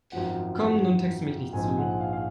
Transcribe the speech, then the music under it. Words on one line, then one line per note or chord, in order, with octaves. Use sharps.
Komm, nun texte mich nicht zu.
G#1 F#2 F3 F#5
F#5
A#1 G#2 F3 G#5
F#5
F5
F5